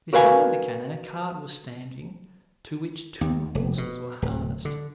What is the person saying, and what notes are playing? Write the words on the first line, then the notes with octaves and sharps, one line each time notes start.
Beside the cannon a cart was standing to which two horses were harnessed.
F#4 A#4 B4 F5 G#5
D#2
F1
B2
D1
D3